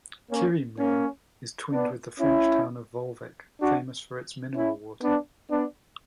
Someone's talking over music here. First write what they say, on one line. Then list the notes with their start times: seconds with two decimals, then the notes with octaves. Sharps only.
Kirriemuir is twinned with the French town of Volvic, famous for its mineral water.
0.31 A#3 C#4
0.78 A#3 C#4
1.73 B3 D4
2.20 C#4 E4
3.61 D4 F#4
4.55 C#4 E4
5.02 B3 D4
5.49 B3 D4